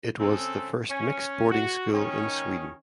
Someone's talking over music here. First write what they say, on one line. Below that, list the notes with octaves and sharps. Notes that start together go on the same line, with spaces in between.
It was the first mixed boarding school in Sweden.
C#3 C4 A4
C#4
F#4
D#3 C#4